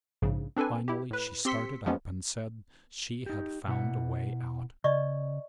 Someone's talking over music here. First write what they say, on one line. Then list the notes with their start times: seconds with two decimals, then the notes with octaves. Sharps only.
Finally she started up, and said she had found a way out.
0.22 A#1 G#2 C#3
0.57 C4 D4 A4 B4 G#5
0.88 E4 G4
1.11 A2 B4
1.45 C4 G4 C6 E6 B6 C#7
1.86 F3 F#3 G#3 A#3 B3 C#4
3.26 D#4 G4
3.67 B2 E4 F#5
4.84 C#3 D5 D#5 C#6